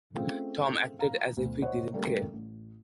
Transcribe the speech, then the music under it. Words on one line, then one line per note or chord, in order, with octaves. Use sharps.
Tom acted as if he didn't care.
A3 C4 C#4 F4 G#4 F5
F5 A#5
D2 B2
C5 C#5 D#5 F#5
C#3 G3 A3 A#3 G4 A#4
A1